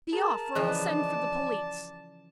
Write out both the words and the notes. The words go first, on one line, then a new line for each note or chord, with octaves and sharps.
Be off, or I'll send for the police.'
G#4 A#4 A5
C#3 E3 F3 G#4 D5 D#5 F#6